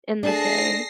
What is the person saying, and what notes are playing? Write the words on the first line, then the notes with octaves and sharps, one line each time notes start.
in the day,
A3 D4 G#4 A5 A#6 C7